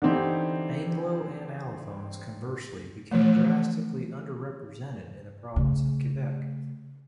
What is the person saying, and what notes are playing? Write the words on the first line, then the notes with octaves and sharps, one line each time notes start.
Anglo and Allophones, conversely, became drastically under-represented in the province of Quebec.
D3 E3 C4 D#4 G4
E3 F3 A3
C#3 A3